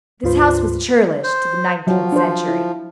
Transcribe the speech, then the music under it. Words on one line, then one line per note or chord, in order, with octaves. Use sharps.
This house was churlish to the nineteenth century.
D2 G#2 F4 B4 C5
C5
F3 F#3 F#4
D4 C5
E4